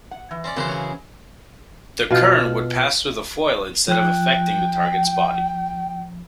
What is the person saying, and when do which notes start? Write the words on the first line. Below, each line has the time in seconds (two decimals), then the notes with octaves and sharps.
The current would pass through the foil instead of effecting the target's body.
0.11 F#5
0.31 E3
0.44 C4 C#4 D5
0.56 C#3 E3 F#3 A#3 E4 C5
0.68 G#4 C#5
2.11 B2 F4
3.88 F3 G5 F#6